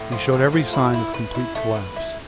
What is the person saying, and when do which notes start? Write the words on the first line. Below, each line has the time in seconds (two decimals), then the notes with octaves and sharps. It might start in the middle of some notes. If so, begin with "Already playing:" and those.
He showed every sign of complete collapse.
Already playing: A2
0.12 F3
0.33 A2
0.52 F3
0.73 E4
0.94 E4
1.14 B4
1.35 E4
1.55 A3
1.76 B4
1.96 E4